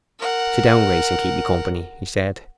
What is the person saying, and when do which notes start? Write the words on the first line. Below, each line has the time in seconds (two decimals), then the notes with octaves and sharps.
"Sit down, Grace, and keep me company," he said.
0.19 A#4 F#5